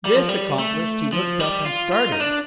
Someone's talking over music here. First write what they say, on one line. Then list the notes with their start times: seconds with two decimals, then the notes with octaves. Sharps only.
This accomplished, he looked up and started.
0.05 G3
0.16 F3
0.29 G3
0.59 A3
1.13 F3
1.40 G3
1.66 F4
1.92 F4
2.12 D#4
2.20 D4